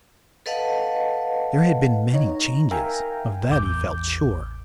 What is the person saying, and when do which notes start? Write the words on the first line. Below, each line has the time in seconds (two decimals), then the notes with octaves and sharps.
There had been many changes, of that he felt sure.
0.46 A4 B4 D#5 F5 F#5 A5
2.13 D#4 C#5 A#5
2.71 A#4 E5 F5 G5 G#5 A#5
3.49 A1 E2 D6 G6